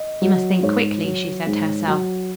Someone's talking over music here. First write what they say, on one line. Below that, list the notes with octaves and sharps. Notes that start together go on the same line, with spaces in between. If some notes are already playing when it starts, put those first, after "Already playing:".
"You must think quickly," she said to herself.
Already playing: D#5
F#3
G#2 C#5
F#3
G#2
F#3